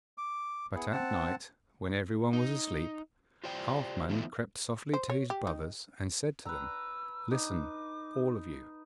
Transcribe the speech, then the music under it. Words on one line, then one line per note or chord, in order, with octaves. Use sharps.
But at night, when every one was asleep, Halfman crept softly to his brothers, and said to them, 'Listen, all of you!
D6
B3 E4 G#4
C4 F#5 A5
D#4
F4 G4 C5 D5 G5
D#3 F3 A3 B3 D#4 E4
C5
C#5
G4
D#4
B4 A#5 E6
D#4 D6